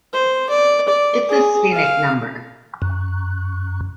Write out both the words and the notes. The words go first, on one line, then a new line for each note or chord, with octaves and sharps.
It is a sphenic number.
C5
D5
D5
G#4
F5
F#2